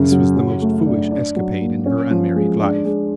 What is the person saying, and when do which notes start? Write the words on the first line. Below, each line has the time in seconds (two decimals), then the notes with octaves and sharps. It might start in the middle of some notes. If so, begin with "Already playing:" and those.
This was the most foolish escapade in her unmarried life.
Already playing: F#2 C#3
0.12 F#3
0.36 F#3
0.62 A3
0.86 D4
1.11 D4
1.36 F#3
1.61 A#3
1.86 C#4
2.11 F3
2.35 G#3
2.60 D4
2.85 G#3